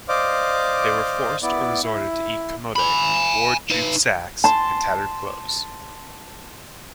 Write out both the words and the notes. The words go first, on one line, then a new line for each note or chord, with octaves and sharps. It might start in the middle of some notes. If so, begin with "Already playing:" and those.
They were forced or resorted to eat camote, wore jute sacks and tattered clothes.
C5 D5 D#5 F5 D6
B3 E4 D5
E4
G#5 B5
D#4 B4
A5 C6